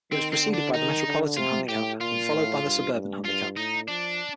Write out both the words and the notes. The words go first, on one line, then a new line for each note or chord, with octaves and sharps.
It was preceded by the Metropolitan Handicap and followed by the Suburban Handicap.
D#3 C4
C4
D3
D4
D#3 D#4
D3
C3 F4
A2 G4
A#2 F4
A2
G2
G2
G2 F4
A2 D#4
F3 D4